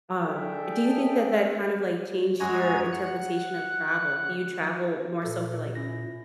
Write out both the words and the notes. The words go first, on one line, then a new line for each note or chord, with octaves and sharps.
Um, do you think that that kind of like changed your interpretation of travel? Do you travel more so for like-
D4 G#4 A4 E5 G5
F#2 G#3 F#4 G#5 A#5 G#6
F#5 F#6
A#2 A4 A#4
C#4 E4 A#6